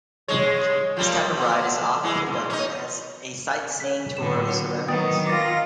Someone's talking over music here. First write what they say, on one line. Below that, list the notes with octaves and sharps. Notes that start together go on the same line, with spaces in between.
This type of ride is often conducted as a sightseeing tour of the surroundings.
G2 G#3 C#5
F3 G3 A#3
D3
E3 G#3
G#2
C#4 D#4
C#5 B6
A2 D3 F#3 E7
D#3 F#3 B3 G5 D#6 A6
F4 D6 A6 A#6